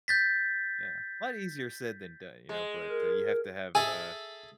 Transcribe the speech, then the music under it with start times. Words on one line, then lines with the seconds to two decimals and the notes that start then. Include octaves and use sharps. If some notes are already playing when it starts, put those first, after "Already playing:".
Yeah, lot easier said than done, you know? But, uh, you have to have, uh,
0.08 G6 A6 B6
2.49 G#3
2.90 A#4
3.75 G#4 A4 E5 G#5